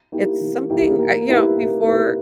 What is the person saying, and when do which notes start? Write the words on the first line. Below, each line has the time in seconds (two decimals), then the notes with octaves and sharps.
it's something, I you know, before
0.12 A#3 E4 G4
0.41 E3
0.70 A#3 E4 G4
0.99 A#3
1.29 E4 G4 B4
1.57 A#3
1.86 E4 G4 B4